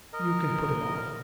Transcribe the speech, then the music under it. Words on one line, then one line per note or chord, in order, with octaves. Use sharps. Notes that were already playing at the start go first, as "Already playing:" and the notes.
'You can put him off.
A#4 D#5